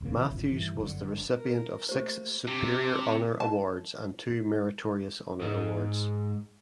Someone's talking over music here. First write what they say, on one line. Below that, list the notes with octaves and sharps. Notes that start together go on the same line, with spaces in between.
Matthews was the recipient of six Superior Honor Awards and two Meritorious Honor Awards.
D#1 E2 C#3 A#3
C#3 E3
G#1 F2 D3
G2 D#3 E3
G1 F#2 B2 D3
A#4
A3 A#3 G4 C5
C3 D4 G4
A5
G#2 G#3